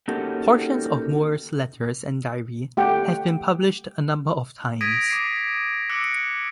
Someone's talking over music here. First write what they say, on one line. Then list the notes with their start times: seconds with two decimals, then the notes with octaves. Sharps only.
Portions of Moore's letters and diary have been published a number of times.
0.08 A#3 C#4 D#4 F#4 G4 A4
2.77 A3 G4 F#5 G5
4.81 D#6 G#6 A#6 B6 D7 D#7
5.09 D6 D#6 C7 D7
5.89 D6 E6 F#6 C#7 D7